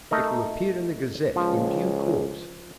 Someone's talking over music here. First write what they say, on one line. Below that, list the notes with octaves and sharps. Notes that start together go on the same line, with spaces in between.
It will appear in 'The Gazette' in due course.
A3 D#4 A#4
C#2 F3